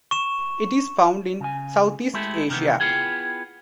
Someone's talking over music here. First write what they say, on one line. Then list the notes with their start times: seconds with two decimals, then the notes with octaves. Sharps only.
It is found in Southeast Asia.
0.11 C#6 E7
1.40 C#3 G#5
2.14 G#3 A3 E4 G4 A4
2.50 C3 D#3 E3 B3 C4
2.80 B3 E4 F4 G#4 G5